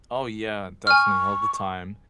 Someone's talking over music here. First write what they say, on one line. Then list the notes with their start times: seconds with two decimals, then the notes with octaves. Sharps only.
Oh yeah, definitely all the time,
0.87 G#5 C#6 F6